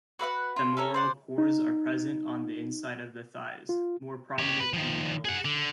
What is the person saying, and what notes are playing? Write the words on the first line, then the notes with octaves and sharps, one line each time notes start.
Femoral pores are present on the inside of the thighs, more prominent in males.
F#4 B4 F5 F#5
F4
C#4 A4 A#4 C#5
C5 D5 F#5
D#4
F4
G4 C#5
B4
D#3 F3
G#4 F#5
D3